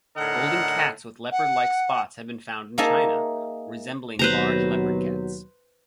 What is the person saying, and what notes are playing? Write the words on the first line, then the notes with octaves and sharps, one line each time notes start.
Golden cats with leopard-like spots have been found in China, resembling large leopard cats.
A2 D3 D#4 A#4 F#5
F#5
A#3 D#4 G#4 E5 A5
D#2 B2 F#3 B4 C5 A#5